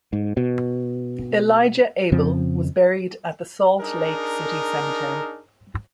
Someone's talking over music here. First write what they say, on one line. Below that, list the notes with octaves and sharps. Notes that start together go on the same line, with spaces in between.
Elijah Abel was buried at the Salt Lake City Cemetery.
G#2
B2
F2 C#3 F3 C4
D4 D#4 G#4 A#4